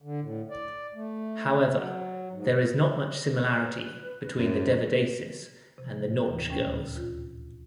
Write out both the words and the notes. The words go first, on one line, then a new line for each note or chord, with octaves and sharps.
However, there is not much similarity between the Devadasis and the Nautch girls.
D3
A2
D5
A3
F#3
G#2
B4
F#2
C3 F3
D#2 A2 E3
D2 A#2 C#4 G5
F4